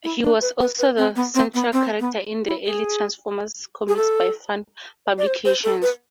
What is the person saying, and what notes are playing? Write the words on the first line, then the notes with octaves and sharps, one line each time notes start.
He was also the central character in the early Transformers comics by Fun Publications.
E4
D4
B4
B4
B4
C4
B3
C4
B3
C4
B3
E4
G#4
G#4
A4
D5
C5
C5
A4
B4